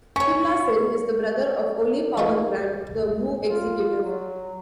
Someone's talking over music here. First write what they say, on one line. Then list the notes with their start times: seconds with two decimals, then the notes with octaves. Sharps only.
Killa Sin is the brother of Oli "Power" Grant, the Wu executive.
0.16 C#4 C#5 C#6
2.17 G#3 A3 B3 D#4 F4 A#4
3.46 F4
4.03 F#3